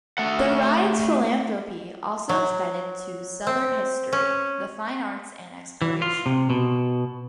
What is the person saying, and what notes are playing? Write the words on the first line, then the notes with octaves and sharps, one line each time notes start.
The Ryans' philanthropy also extended to Southern history, the fine arts and exploration.
A3 F#5
F#3
C4
C#4
E3
F4
C3
B2